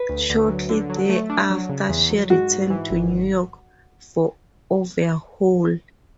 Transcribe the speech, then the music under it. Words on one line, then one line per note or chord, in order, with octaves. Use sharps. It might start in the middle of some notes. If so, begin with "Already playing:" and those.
Shortly thereafter she returned to New York for overhaul.
Already playing: B4
D2
D2
F#3
D3
F#3
A3
D4
F#3
C#3
E2
F#3
G#2 F#4
G#2
E3
G#1